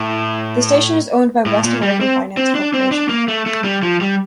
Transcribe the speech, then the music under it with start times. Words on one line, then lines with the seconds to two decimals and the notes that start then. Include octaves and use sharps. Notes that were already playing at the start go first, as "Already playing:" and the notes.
The station is owned by West American Finance Corporation.
Already playing: A2
1.46 A2
1.64 A#2
1.83 G3
2.01 C4
2.37 C4
2.55 D4
2.74 C4
2.91 D4
3.09 A#3
3.28 A3
3.46 A3
3.64 G3
3.83 F3
4.01 G3